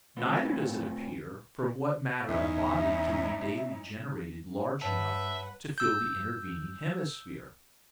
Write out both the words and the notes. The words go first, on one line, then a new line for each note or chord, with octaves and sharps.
Neither does it appear from what matter a body can be daily generated large enough to fill the intervening hemisphere.
A3 C4 F4 F#4 B4
E2 C#4 D#4 E4 E5
G2 B4 C#5 E5 F#5 A5
E6 G6